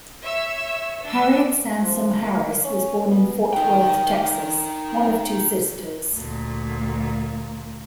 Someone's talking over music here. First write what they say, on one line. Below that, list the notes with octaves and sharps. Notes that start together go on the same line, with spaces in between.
Harriet Sansom Harris was born in Fort Worth, Texas, one of two sisters.
C#5 E5 E6
D4 E6
F3
A#3
C#4
B3
D#4 G5
D2 A#2